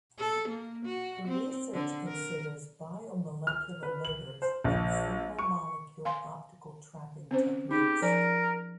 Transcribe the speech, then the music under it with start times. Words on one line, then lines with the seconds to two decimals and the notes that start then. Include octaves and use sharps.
Her research considers biomolecular motors and single molecule optical trapping techniques.
0.19 A4
0.49 A#3
0.85 F#4
1.28 C4
1.73 D3
2.08 A#4
3.47 F6
3.83 B4
4.05 F#7
4.42 C5
4.64 A#1
5.39 C#6
6.05 F5 G#5 C6
7.31 C4 C#4 C5
7.71 D#4 G4 G#4
8.02 F3 A#4 D5 G#5